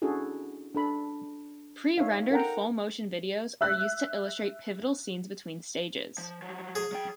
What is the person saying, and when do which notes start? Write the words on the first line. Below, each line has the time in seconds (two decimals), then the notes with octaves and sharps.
Pre-rendered full motion videos are used to illustrate pivotal scenes between stages.
0.02 C#4 D4 E4 F#4 G#4 A4
0.75 D4 A4 B5
1.98 D#4 C#5 E5 F5
2.31 A4 A#4 F#5 G5 A#5
3.61 E5 E6 F#6
6.18 F3
6.42 F3 F#3
6.75 G#4
6.92 F#3 G5